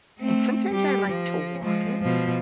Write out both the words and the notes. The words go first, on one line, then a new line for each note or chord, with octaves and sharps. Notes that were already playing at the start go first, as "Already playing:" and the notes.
and sometimes I like to walk it
A3 C4
G3 G4
F3
F3 G#3
B2 F3